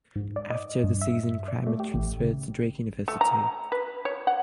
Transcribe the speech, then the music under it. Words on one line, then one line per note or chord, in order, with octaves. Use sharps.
After the season Kraemer transferred to Drake University.
G#2
D5
D#5
G2
E5
D5
A3
G4
A1
C#3
A3
A#5
B4
C#5
F#5